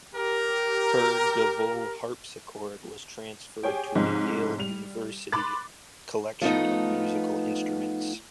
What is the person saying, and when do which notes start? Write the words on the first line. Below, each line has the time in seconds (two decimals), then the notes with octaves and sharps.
Her Gaveau harpsichord was transferred to the Yale University Collection of Musical Instruments.
0.15 G4 A#4
3.63 G4 G#4 C#5 G5
3.95 G#2 C3 F3 C#4 D#4
4.58 G3 F7
5.32 B5 C6 D6 F#6 A6
6.41 F3 A3 B3 D#4